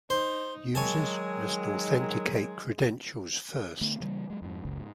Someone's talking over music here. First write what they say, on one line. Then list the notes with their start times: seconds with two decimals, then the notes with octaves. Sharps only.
Users must authenticate credentials first.
0.10 D#4 C5
0.75 D#3 F#3 G#3 C#5 G#5 A5
3.81 D3 A3 B3
4.00 C#3 E3 G3 A#3
4.30 F#3 G#3
4.42 F2 G#2
4.65 F#1 C#2
4.79 G#2